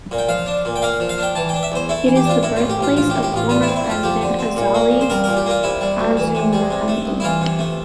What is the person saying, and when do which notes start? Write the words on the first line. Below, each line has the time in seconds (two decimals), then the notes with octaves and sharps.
It is the birthplace of former President Azali Assoumani.
0.11 A#2
0.18 G5
0.29 F3 F5
0.46 D4
0.65 A#2
0.76 G5
0.82 A#3 F5
1.00 F3
1.09 F5
1.18 D4 G5
1.35 E3 A5
1.49 G5
1.54 D4
1.63 E5
1.72 E2 C5
1.89 A3 E4
2.07 E3
2.16 G4
2.25 D4 F4
2.43 A2 E4
2.56 A1 F4
2.70 G4
2.79 A1 F4
2.96 F3 F4
3.10 G4
3.14 A2
3.23 G4
3.32 A1 F4
3.49 D3 F4
3.62 E4
3.67 C4
3.76 E4
3.85 F2
3.90 F4
4.03 F3 G4
4.21 D3
4.39 C4
4.56 A#2
4.74 A#3
4.91 A#1
5.01 C5
5.10 G3 A#4
5.24 A#2 A#4
5.37 G4
5.46 A#3 F4
5.63 C3 E4
5.81 G3
5.99 D2
6.17 E3
6.35 C3
6.53 G3
6.71 C3
6.88 A3
7.05 C2
7.20 E4
7.23 E3 F4
7.41 C3
7.59 A3